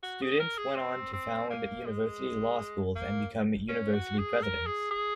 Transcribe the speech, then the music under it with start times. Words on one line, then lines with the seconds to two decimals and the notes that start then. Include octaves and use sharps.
Students went on to found university law schools and become university presidents.
0.03 F#4
0.22 G#4
0.40 A#4
0.58 G#4
0.76 C4
1.13 C4
1.50 A#3
1.86 G#3
2.95 A#3
3.69 C#4
3.94 F#4
4.18 G#4
4.43 A#4
4.66 G#4
4.91 G#4